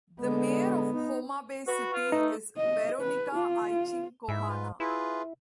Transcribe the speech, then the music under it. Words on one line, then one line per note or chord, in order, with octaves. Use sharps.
The mayor of Homa Bay city is Veronica Achieng' Kohana.
D3 G#3 B3
D#4
F#4 B4
F4
A3 D#4
D#5
B4
F4
G#2 E4 E5 E6
F4 B4
E4 F4 G#4 B4